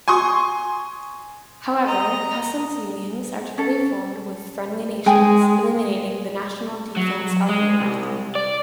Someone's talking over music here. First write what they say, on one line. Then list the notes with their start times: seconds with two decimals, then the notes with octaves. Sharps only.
However, customs unions are typically formed with friendly nations, eliminating the national defense argument.
0.08 G#5 C6 C#6 D#6
1.85 D#5 A#5
3.58 C#4 A4
5.06 G#3 G5 G#5
6.97 F#3
7.49 G#3
7.81 C2
8.35 D5